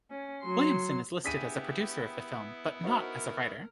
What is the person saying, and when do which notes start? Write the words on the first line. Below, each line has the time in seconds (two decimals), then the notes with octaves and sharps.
Williamson is listed as a producer of the film, but not as a writer.
0.11 C#4
0.43 F#3 C6
1.24 B3 D4 E4 G4 G#4 G#5 B6 D#7
2.83 D#4 F#4 A#4 C5